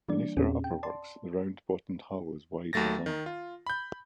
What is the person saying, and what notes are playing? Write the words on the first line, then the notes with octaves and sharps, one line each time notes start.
Beneath her upperworks, the round-bottomed hull is wide and long.
E3 G3 A#3 D4 D5
E2 A#2 C4 C#4 G4 G#4
G5
D5 A5 C6
D#2 F#3 A3 A6 A#6
D#3
F4
B5 G6